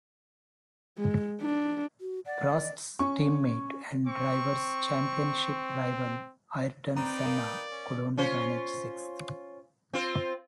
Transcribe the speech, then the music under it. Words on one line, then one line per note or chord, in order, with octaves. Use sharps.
Prost's teammate and Drivers' Championship rival, Ayrton Senna, could only manage sixth.
G#3
D4
F#4
D5 F#5
D#5
C#4 C#6
C4 C#6
C4 D#4 B4 D5 G5 A#5
A#4 F5
C#4
C#4 F4 C5
C4 F4 C5